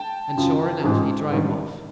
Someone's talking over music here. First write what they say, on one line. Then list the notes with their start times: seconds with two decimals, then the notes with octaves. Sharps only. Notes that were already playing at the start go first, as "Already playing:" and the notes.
And sure enough, he drove off.
Already playing: G5 A5
0.37 F#2 C#3 F3
0.84 A1 G#2 F3 G#3
1.30 A1 G2 D#3 G3